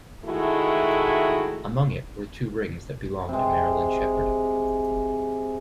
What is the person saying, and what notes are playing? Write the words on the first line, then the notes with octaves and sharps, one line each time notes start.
Among it, were two rings that belonged to Marilyn Sheppard.
D#3 G#3 A3 E4 F#4
C3 G#3